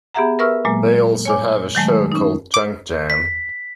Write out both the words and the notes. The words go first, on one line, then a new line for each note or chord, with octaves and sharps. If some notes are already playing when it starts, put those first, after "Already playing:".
They also have a show called Junk Jam!
B3 G4 G#4 E5 F#5 A#5
A#4 B4 E5 C#6 E6 F6
A#2 F#3 G#3 A#3
C#5 G#5 D6
D#3 F#3 G#3 A3
C#4 D#4
D6
B6